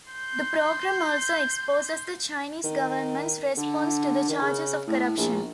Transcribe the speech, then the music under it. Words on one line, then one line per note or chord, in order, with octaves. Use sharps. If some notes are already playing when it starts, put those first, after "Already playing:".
The programme also exposes the Chinese Government's response to the charges of corruption.
C6 G6
D#3
D3
D#3
C#3
A2
A#1